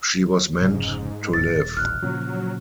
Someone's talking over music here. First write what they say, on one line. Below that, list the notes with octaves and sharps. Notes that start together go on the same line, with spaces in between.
She was meant to live.
F1 G#2 C#3
D#1 A6
A1 F6 F#6
A#2 C#3 F3 F#3